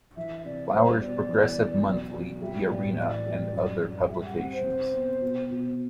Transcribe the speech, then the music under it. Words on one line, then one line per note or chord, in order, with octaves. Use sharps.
Flower's progressive monthly, "The Arena" and other publications.
E3 E5
C3 D5
G3 C5
B2 D5
E3
E3
B1
B1
G3 E5
A2 D5
E3 D5
G3
F#2
F#2
G3 E5
F#5
C4 F#5
C5
C3
B3
B2
B2